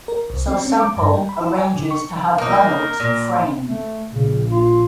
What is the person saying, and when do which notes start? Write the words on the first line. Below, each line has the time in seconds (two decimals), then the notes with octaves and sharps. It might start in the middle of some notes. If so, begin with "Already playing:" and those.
So Semple arranges to have Reynolds framed.
0.08 A#4
0.30 C2
0.48 C4
0.65 C#4
0.80 D6
0.97 G2
1.13 G3
1.29 B5
1.41 E4
1.58 G#5
1.76 D3
1.91 C#6
2.38 A#3 D#4 A#4
3.00 A#2
3.67 A3
4.11 A#1 C#3
4.51 F4